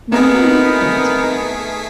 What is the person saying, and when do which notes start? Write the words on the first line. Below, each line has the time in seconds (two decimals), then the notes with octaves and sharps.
Nothing like it.
0.12 A3 B3 C4 D#4 G#4 A#4 B6